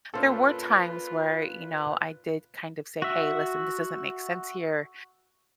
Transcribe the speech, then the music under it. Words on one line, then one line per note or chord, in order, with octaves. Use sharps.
there were times where, you know, I did kind of say, "Hey, listen, this doesn't make sense here.
A#2 C#4 D4 F4 A4 B4 C5 F5
F#4 E5